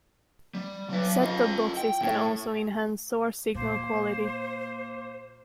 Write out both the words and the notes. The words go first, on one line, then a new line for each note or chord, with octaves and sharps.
Set-top boxes can also enhance source signal quality.
G3
F#3 B4
F4 D#5
G5
A2
A#2 A#3 C5